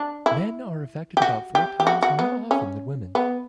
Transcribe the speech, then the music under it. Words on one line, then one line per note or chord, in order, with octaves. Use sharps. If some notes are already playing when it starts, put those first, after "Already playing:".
Men are affected about four times more often than women.
Already playing: D4
E4
G4
F#4
G4
G4
F#4
F#4
B3
C#4
B3